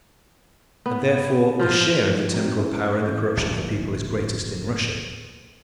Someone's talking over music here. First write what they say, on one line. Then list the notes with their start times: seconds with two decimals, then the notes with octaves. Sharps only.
And therefore the share of the temporal power in the corruption of the people is greatest in Russia.
0.86 B3
1.59 F3 F4
2.06 G#2 F3 G3 A3
2.31 C4 D#4 F#4
2.57 C#4 E4 G#4 B4
3.04 A1 G6
3.37 D1 A#1